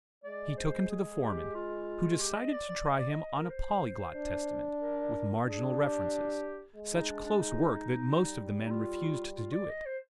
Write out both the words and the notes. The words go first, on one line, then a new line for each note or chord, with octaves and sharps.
He took him to the foreman, who decided to try him on a Polyglot Testament, with marginal references, such close work that most of the men refused to do it.
G#3 D5
C5
G#4
G4
F4
F4
G4
D#5
D5
D5
D#5
D5
D#5
A#4
C5
D4
A#4
D4 G#4
G4
G#3
D#4
D4
D4
D#4
G3
D#4
F4
F4
D5
D#5
C5